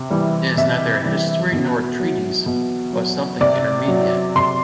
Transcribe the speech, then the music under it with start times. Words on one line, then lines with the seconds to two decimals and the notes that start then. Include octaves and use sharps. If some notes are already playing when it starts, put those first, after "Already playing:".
It is neither a history nor a treatise, but something intermediate.
Already playing: C3
0.10 E3 G3
0.57 C3 E5
1.04 E3 G3
1.52 B2
2.00 F#3
2.46 B2
2.93 F#3
3.41 C3 D5
3.88 F#3
4.36 C3 C6